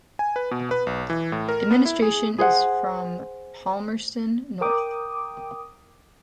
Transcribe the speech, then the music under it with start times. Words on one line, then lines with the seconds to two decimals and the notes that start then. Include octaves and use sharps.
Administration is from Palmerston North.
0.19 G#5
0.36 B4
0.51 B2
0.71 B4
0.87 B1
1.10 E3
1.32 A2
1.49 A#4
1.71 B3
1.85 E4
2.02 G#4
2.38 G#4 C5 F#5
4.61 A#4 G5 D6 D#6